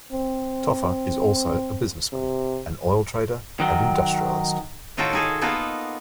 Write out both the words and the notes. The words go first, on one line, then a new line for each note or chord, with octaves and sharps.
Tofa is also a businessman, an oil trader and industrialist.
C4
C3
D#3 F#3
A2 D#3 F4 F#4 A4 G5
D#4 G#4 A4
A#3 B3 D#4 F4 A4 B4